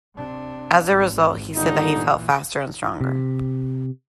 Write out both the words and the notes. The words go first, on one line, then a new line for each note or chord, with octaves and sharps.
As a result, he said that he felt faster and stronger.
C3 D4
G#1
G1 D3 D#3 D#4
A#2 E3
C3